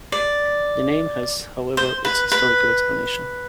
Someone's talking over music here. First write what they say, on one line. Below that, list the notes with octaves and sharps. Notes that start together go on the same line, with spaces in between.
The name has, however, its historical explanation.
D5
C5
B4
B4